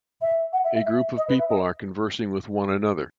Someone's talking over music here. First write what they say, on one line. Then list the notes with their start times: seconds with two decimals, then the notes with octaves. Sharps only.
A group of people are conversing with one another.
0.22 E5
0.53 F#5
0.64 E5
0.75 E5
0.85 E5
1.17 D#5
1.28 B4
1.39 E5
1.49 D#5